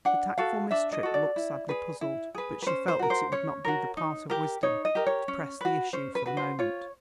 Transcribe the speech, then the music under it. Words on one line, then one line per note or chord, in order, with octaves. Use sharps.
The tactful Miss Tripp looked sadly puzzled, but she felt that it would not be the part of wisdom to press the issue for the moment.
D4 F#5
F#4 A4 F5
D4 E5
D#5
F#4 A4
D5
E4
G#4 B4
E4
G#4 B4
B4
C#4 C5
C5
F#4 A#4
C5
C#4 C#5
F#4 A#4
D#4
G4 A#4
D#4 C#5
D#5
G4 A#4
C#5
C#4
F#4 B4
C#4 C5
B4
F#4 B4
C5
F4 C#5